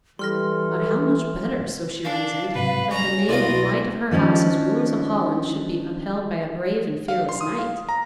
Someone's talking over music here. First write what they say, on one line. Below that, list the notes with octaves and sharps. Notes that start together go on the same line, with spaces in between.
But how much better, so she reasoned, that the name and might of her house as rulers of Holland should be upheld by a brave and fearless knight.
E3 G3 A4 C6 F6 A#6
D4 F5
G#2 C3 F#3 B4
G3 C#4 A#5
C2 B2 E4 D5 D#5 F5 C6
D#3 F3 C#4 D4
F5
C6
D#6
F5
A#5